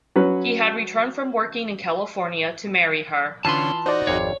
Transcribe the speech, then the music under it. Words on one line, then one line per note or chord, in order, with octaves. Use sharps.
He had returned from working in California to marry her.
F#3 C#4 B4
D3 E3 C#4 F4 B4 A5 C6
D#4 F#4 C5 D5
G#1 F2 C#5 F5